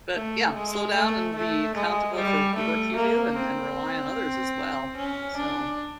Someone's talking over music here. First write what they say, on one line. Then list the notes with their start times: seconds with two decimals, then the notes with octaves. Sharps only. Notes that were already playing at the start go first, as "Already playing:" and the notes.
but, yeah. Slow down and be accountable for the work you do and and rely on others as well, so
0.14 A3
0.54 G#3
0.95 A3
1.35 A3
1.75 G#3
2.15 G3
2.55 A3
2.96 A#3
3.36 C4
4.97 C#4
5.37 D4